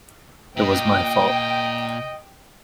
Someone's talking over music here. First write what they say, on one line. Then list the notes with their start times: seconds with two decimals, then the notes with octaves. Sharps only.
It was my fault.
0.57 A#2 D#5 G5